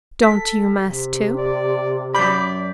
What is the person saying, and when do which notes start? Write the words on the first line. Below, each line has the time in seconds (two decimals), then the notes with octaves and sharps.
"Don't you mass, too?"
0.23 A4 B6
0.83 C3
1.38 D5
2.15 F#2 D5 B5 D6 G6 B6